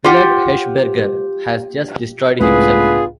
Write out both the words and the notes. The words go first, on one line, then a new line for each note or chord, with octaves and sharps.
Willard Hershberger has just destroyed himself.
F4 G4 F#5
C#2 A2 B3 D4 F4 G#4 B4